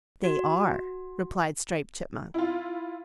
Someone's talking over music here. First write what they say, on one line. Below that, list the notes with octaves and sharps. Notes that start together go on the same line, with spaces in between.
"They are," replied Striped Chipmunk.
F#4
E4 F4